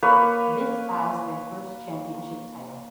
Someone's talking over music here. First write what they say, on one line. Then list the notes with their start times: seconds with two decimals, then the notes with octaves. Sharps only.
This as their first championship title.
0.03 A#3 B4 C#5